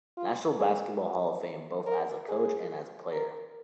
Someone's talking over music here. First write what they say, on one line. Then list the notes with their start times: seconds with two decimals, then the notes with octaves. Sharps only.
National Basketball Hall of Fame both as a coach and as a player.
0.17 F4
0.59 G#4
1.86 A#4
2.29 G#4
3.13 A#4